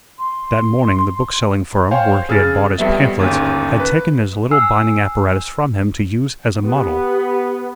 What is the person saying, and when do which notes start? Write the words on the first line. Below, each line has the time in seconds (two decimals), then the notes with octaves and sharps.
That morning the bookselling firm where he had bought his pamphlets had taken his little binding apparatus from him to use as a model.
0.18 C6
1.91 C5 C#5 F5 G5 G#5 C6
2.29 C#3 G#4 E6 F6 A6
2.78 F2 G3 B3 E5
3.19 G1 D#2 G#2 C#4
3.79 B4
4.51 G#5 E6 F6 C7
6.63 B3 G4